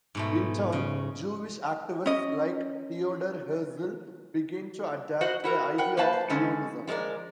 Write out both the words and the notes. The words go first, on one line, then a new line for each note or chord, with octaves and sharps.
In turn, Jewish activists like Theodor Herzl began to adopt the idea of Zionism.
G#2 B2 A3
C#3
C#4 D#5
F#4 C5 D#5 F#5
E4 F#4 A#4
A#4 F#5 G5
A#3 B4 C5 F5 A5
D3 G#3 C#4 D#4
F3 G#3 B3 A#4 D5